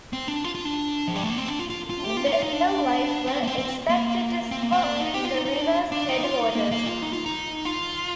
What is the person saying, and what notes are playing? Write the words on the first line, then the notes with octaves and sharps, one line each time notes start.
The alewife were expected to spawn in the river's headwaters.
C4
D4
F4
F4
D4
F3
G3
A3
A#3
C4
D4
F4
F4
F4
G4
F4
D#4
F4
D#4
D4
C4
A#3
C4
C4
A#3
C4
A#3
C4
D4
D#4
G4
F4
D#4
D#4
D4
D4
D#4
F4
D#4
A#3
A#3
F4
D#4
F4
D#4
F4